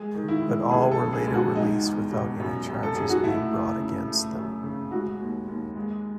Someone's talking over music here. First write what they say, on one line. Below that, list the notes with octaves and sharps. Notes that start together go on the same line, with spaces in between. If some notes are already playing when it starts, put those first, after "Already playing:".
But all were later released without any charges being brought against them.
Already playing: G#3 G#4
D#3
E4
G#3
C#2 G#4
A4
C#3
G#4
C#2
F#4
G#3 D#4
E2
B2
F#2
F#2
A4
F#2 G#4
F#4
A3 E4
A3
C#3
A3
F#2
C#3
G#3 F#4
D#2
D#2
G#3